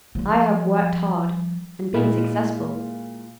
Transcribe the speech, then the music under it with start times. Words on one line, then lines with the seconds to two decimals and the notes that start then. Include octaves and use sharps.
I have worked hard and been successful.
0.15 F3 G3
1.94 A#2 G#3 E4